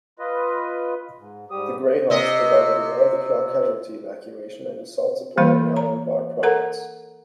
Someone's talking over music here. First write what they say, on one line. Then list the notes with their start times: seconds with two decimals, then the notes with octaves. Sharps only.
The Greyhawks provided around-the-clock casualty evacuation and assault support in Al Anbar Province.
0.19 F4 B4 D#5
1.18 G#2
1.51 G#2 G3 G4 D#6
2.10 C3 D#5
5.37 E3 G3 A#3 F5 B5
5.76 A#5
6.43 A4 A#4 F#5 A#5